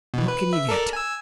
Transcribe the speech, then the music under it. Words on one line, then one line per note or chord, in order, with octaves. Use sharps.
"What can you get?"
B2 E3
B4
E5
A4 A#4 D5
G#5 E6